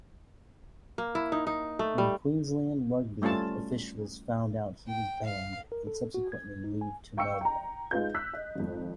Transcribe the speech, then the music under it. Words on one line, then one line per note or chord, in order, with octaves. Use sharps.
When Queensland rugby officials found out he was banned and subsequently moved to Melbourne.
A#3
E4
D#4
D#4
A3
G3
G3 A3 C#4 F4 A5
G5
F5
A#4
A4
F#4
G#6
D#4
G#5
F5 G5 C#6 E6 C#7
G5 A#5
G#3 D#4 F4 B4 G6
E6 F#6 B6
D#5
G#1 F2